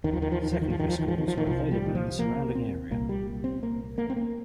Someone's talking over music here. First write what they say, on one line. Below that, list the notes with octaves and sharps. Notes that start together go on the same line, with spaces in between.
Secondary schools are available in the surrounding area.
D#2 D#3
F3
D#3
F3
D#3
F3
D#3
F3
D#3
F3
D#3
F3
D#3
F3
D#3
C2 C3 F3
G3
D#3
F3
A#3
C4
C2 A#2 A#3
G3
C4
A#3
A#3
C4
A#3